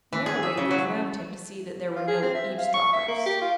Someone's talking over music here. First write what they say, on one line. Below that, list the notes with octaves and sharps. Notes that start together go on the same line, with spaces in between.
Merriwig looked round him to see that there were no eavesdroppers.
E3
G#4
E5
C#3
F#3
F4
G#4
C4
E5
F5
C#6
E5
A#3
G4
F4